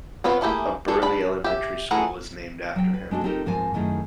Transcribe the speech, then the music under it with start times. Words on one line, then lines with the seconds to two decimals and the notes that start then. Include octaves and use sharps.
A Burley elementary school is named after him.
0.24 B3 C4 F4 B4 C#5
0.41 A3 A#3 E4 G4 G#4
0.88 D4 G#4 A4 D5
1.02 D4 B5
1.44 G4 E5
1.91 E3 A3 G#4 F#5 A#5
2.76 F#3 G5
2.94 B4
3.11 G#3 D4 F#4 A4
3.24 C4 D#4 F4 G4 A4 A#4
3.46 G#2 F3 C4 A#4 G#5
3.74 F#2 D#3 A3 E4 G#4